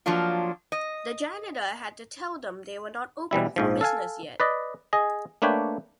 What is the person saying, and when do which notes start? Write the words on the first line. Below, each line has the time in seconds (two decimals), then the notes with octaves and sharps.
The janitor had to tell them they were not open for business yet.
0.06 F3 F#3 A#3 D4 F4
0.72 D#5
3.31 B2 E3 G3 E4
3.56 A#1 G#2 F3
3.81 A4 F5 G#5
4.40 B4 D5 D#5
4.93 G#4 D#5 G#5
5.42 A3 A#3 D4 B4 C#5 G5